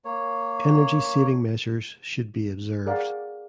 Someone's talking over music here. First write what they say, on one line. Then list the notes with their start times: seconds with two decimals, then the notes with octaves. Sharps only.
Energy saving measures should be observed.
0.05 A#3 C#5
2.86 G#4 A#4 D5 F5 F#5